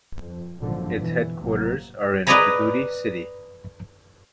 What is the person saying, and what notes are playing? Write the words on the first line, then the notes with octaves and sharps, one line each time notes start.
Its headquarters are in Djibouti City.
F2
G#1 F#2 A#2 D3 F3
B2 E3
A1 C3 F#3 A#3
B4 D5 D#5 G#5 A#5 B5